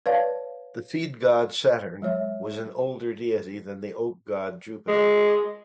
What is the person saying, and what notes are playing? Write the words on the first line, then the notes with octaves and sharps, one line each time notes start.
The seed-god Saturn was an older deity than the oak-god Jupiter.
B4 C#5 D5 F5 A5
F#3 G#3 C#5 E5
G#3